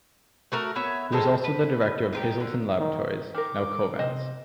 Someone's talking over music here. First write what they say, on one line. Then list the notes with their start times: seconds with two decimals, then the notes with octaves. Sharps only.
He was also the director of Hazelton Laboratories, now Covance.
0.52 A3 F#4 A#4
0.75 B3 C#5 E5
1.12 D#3 G#3 C4 A4
1.44 B4
2.13 D#4 F4 G4
2.40 D3
2.79 D#3
3.35 D#3 A#4 D6
3.99 C3 C4 D#5